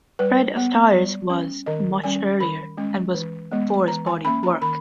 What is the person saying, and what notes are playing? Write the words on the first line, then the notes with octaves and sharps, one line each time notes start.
Fred Astaire's was much earlier, and was for his body of work.
G3 B4
B3
G3
C#4
D#3 D#5
G3 C#4 G#5
D#3 B5
G#3 C#4
E3
G#3 B3
E3 A#5
G#5
A#3 C#4 B5
A#5
D#3 B5